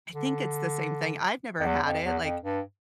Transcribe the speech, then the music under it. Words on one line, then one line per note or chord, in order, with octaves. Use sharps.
I think it's the same thing. I've never had it, like,
D3
F2
E2
F2
E2
F2
G2